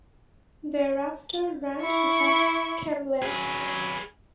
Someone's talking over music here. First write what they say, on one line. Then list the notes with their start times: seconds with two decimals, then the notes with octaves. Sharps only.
Thereafter Rand attacks Caemlyn.
1.82 E4 C#6
3.22 F#3 C#4 G#4 B4